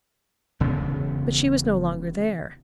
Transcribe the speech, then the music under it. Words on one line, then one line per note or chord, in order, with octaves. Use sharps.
But she was no longer there.
E1 C#3 B3